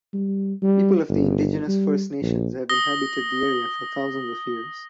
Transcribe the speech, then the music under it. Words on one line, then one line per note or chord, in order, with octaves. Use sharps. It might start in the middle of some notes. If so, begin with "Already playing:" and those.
People of the indigenous First Nations have inhabited the area for thousands of years.
G3
G3
G1
G3
A#1
D#6 A#6 G7